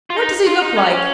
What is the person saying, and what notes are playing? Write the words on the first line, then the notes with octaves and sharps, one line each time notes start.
What does he look like?'
F4
D#4
F4
D#4
C#4